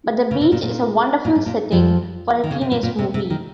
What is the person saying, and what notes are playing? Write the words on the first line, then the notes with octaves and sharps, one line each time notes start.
But the beach is a wonderful setting for a teenage movie.
C#3
C3
A#2
A#2
A#2
G#2
A#2
F2 F3
D#3
C#3
C3
A#2
A#2
C3
C3
D#3